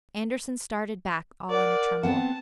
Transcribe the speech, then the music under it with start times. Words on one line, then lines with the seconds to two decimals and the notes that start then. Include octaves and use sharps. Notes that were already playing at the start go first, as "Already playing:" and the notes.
Andersen started back all in a tremble.
1.50 A#4 D5 F#5
2.03 B3 C4 F#5 A5